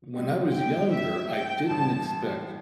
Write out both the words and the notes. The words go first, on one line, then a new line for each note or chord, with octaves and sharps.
When I was younger, I didn't expect,
A2 G3 C4
G5
E5
G5
A1 G2 E3 A5